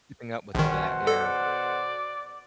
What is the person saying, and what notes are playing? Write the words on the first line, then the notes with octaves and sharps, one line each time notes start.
keeping up with all that, yeah.
A#1 B2 D#3 C#4 C5 F#5
A4 D5